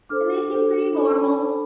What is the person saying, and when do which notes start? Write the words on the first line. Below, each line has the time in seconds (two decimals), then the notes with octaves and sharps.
and they seemed pretty normal,
0.09 D4 A4 C5 D6 F6
0.52 D4 A4 C5
0.95 D4 A4 C5 B5
1.09 A5
1.22 G5 B5
1.37 D4 A4 C5